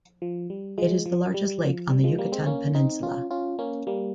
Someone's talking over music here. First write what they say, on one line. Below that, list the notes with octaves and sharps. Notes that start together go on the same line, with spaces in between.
It is the largest lake on the Yucatan Peninsula.
F3
G3
F3 G#3
F3
G3
F3
G3
F3 G#3
G3 A#3
G#3 C4
A#3 C#4
C4 D#4
C#4 F4
C#4 F4
A#3 C#4
G3 A#3